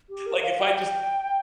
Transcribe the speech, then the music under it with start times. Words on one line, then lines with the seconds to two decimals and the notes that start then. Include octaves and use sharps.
Like, if I just
0.10 G4
0.26 A#4
0.43 F5
0.60 G5